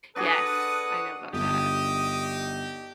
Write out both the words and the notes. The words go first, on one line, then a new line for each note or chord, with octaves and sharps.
Yes, I know about that.
D4 F#4 G#4 A4 B4 F#5 D#6
G1 D#4 G4 D#6